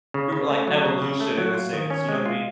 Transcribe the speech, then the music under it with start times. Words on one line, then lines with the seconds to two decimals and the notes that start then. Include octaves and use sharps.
through, uh, like, evolution in a sense, you know what I mean?
0.14 C#3
0.32 C#3
0.50 A3
0.68 F#3
0.85 C#3
1.02 C#3
1.20 A3
1.38 F#3
1.55 F4
1.73 D#3
1.90 C#4
2.09 G#3
2.26 F4